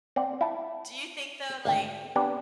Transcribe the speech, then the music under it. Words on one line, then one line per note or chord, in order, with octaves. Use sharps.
Do you think, though, like,
C4 D5 F#5
E4 A5
G#1 D2 G5
B3 C4 D4 G4 B4